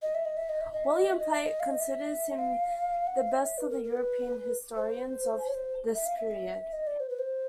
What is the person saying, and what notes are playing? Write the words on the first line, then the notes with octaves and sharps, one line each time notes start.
William Plate considers him the best of the European historians of this period.
D#5
E5
D#5
E5
D#5
E5
D#5
E5
D#5
E5
D#5
E5
D#5
F5
D#5
E5
F5
F#5
F5
E5
E5
B4
A#4
A#4
B4
C5
C#5
C5
E5
F5
E5
D#5
D5
C5
B4
C5